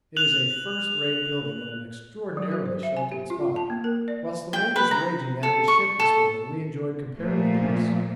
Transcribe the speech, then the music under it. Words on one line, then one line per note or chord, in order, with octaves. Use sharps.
It is a first-rate building in an extraordinarily sheltered spot; whilst the wind was raging at the ship this morning we enjoyed comparative peace.
F#6 F7 F#7
F#3
F#4
C5
E5
G#5
G4
F4
A5
A#3
A#4
D5
G5
B4
A#5
A4
C#6
A4
A#2 F3 A3